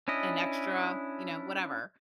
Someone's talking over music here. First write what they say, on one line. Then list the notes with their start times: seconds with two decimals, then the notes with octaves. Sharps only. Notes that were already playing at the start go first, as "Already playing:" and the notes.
an extra, you know, whatever.
0.08 C#4 D4 E4 D#5